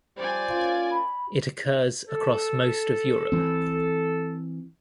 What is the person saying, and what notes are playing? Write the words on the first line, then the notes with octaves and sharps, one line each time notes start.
It occurs across most of Europe.
F3 G3 C5 D5 G#5
A#3 C#4 F4
B5
A4
E3 C4